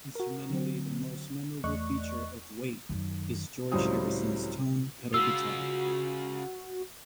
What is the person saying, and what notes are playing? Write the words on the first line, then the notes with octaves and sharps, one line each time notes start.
Instrumentally, the most memorable feature of "Wait" is George Harrison's tone pedal guitar.
F#4 A#4
D3 F#3 C4
E2 A3 D5 D#5 C#6 F#6
F#2 D#3
C#2 A2 F#3 G3 C4 D#6
C#3 F4 F#4 E6